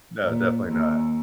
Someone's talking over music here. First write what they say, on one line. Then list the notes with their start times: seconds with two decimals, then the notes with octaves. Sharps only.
no, definitely not,
0.24 A#2
0.67 D#2